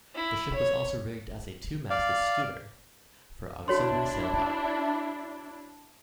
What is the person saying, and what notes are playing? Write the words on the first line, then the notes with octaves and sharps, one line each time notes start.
The ship was also rigged as a two-masted schooner for auxiliary sail power.
E4
C#5
D5 F5
D4 E4 F#4 C#5 C6